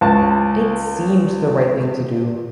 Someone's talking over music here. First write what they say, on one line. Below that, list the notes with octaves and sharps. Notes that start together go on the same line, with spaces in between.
It seemed the right thing to do.
C#2 A5